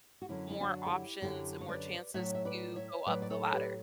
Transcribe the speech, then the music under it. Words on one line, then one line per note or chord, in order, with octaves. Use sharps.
more options, and more chances to go up the ladder.
F#4
F#2 D3 F#3 C#4 E4
E4
D4 F#4
A4
E4 G4
F#2 D3 F#3 E4 G4
C#5
B4 D5
A2 F#3 C#5 E5
E5
B4 D5
C#5 E5
A2 F#3 B4 D5
D5
A4 C#5
G4 B4